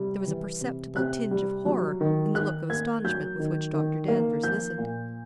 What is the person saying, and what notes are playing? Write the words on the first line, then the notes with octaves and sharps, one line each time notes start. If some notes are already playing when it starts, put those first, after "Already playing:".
There was a perceptible tinge of horror in the look of astonishment with which Dr. Danvers listened.
Already playing: C3 G3
E3
C3
C3 F#6
G3
F#3
D#3
D#3 F#6
A#3 G#6
F#3 G6
D#3
D#3
A#3
F3 G6
A#2